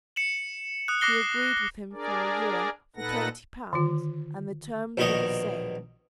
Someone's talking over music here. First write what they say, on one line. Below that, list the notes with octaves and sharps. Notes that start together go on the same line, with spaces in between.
He agreed with him for a year for twenty pounds, and the terms were the same.
C#7 E7 F#7
D#6 F#6
D6 D#6 F#6 A#6 C7 G7
D4 G#4 A#4 D5
A#2 D#4 A4 B4 F#5 A#6
D3 D#3 F4
A#1 B2 D#3 C#5 D#5